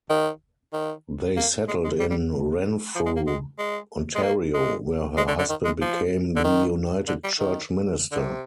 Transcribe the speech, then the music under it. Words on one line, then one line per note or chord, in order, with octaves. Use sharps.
They settled in Renfrew, Ontario where her husband became the United Church minister.
D#3
D#3
A#3
G#3
G#3
G3
G3
F3
G#3
A#3
G#3
G#3
G#3
A#3
G#3
G#3
D3
D3
D#3
G#3
F3
D3
D#3
D3
G3
D#3
D3
C3